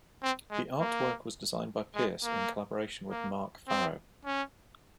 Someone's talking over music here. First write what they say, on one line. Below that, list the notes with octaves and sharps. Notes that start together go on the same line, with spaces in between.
The artwork was designed by Pierce in collaboration with Mark Farrow.
C4
G#3
A#3
G#3
A#3
A#3
C4
C#4